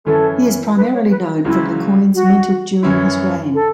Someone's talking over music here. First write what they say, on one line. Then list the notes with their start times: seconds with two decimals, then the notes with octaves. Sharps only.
He is primarily known from the coins minted during his reign.
0.05 F#2 E3 C#4 E4 A4
0.75 B4
0.93 C#5
1.10 B4
1.45 C#2 C#3 F#3 E4
2.13 F#4
2.83 F#2 E3 C#4 E4
3.53 A4